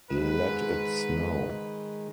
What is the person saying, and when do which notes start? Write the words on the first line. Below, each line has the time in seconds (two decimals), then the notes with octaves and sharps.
Let it snow.
0.10 G#2 D#3 G#3 B4